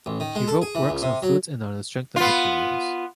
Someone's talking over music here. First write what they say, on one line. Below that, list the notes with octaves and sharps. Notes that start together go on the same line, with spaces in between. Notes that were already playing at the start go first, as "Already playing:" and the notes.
He wrote works on fluids and on the strength of materials.
A1
D#3
G#3
A4
G#4
E3
C#2
C3
F#3
B3 F4